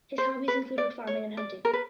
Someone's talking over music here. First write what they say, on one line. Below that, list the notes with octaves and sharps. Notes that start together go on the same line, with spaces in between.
His hobbies included farming and hunting.
C5
B4
D5
C#5
D5
A#4
B4